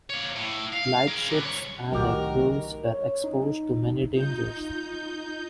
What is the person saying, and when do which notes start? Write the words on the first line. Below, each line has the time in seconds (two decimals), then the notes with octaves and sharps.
Lightships and their crews were exposed to many dangers.
0.10 A#3 C#5
0.36 A2
0.72 F5
1.08 G#4 A#4
1.30 D3 B3
1.44 C2 C#5
1.92 C2 A2 D#3 F#3 F#4 G4 A#4
2.85 C#5
3.24 D#4
4.14 D#4 F4 G6